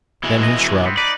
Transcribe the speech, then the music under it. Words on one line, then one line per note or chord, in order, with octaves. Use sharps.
Then he shrugged.
B2 E3 G#3
D#5
B3 C4
D#4 B4 D5